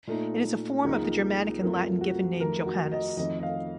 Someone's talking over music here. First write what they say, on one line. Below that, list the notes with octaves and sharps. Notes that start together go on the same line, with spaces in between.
It is a form of the Germanic and Latin given name Johannes.
A#2 A3 D#4
C#2 C#3 F3 A#3 D#4
F#2 F3 A3 C4 F4 A#4
F#4
F2 D#3 A3 A#4
F#4
D#5
F2 D#3 A3 C4 D#5
D#5
F5